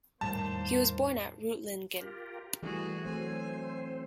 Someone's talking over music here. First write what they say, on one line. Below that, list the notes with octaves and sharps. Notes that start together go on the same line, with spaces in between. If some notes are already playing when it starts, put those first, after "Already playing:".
He was born at Reutlingen.
E2 A2 D#3 G3 A#3 C5 A5
F4 G4 A#4
E3 G3 A3 F#4 G#4
F#3 A3 C4 C5 G#5